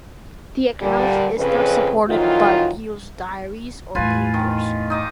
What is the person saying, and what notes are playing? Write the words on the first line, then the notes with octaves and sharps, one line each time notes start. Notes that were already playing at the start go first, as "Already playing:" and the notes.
The account is not supported by Beale's diaries or papers.
A#2 D3 G3
F2 C#3 B4
F2 D#3 E3 F#3 F4
E2 A2 F4 B4 G#5
D#3
D#4 D#5 D6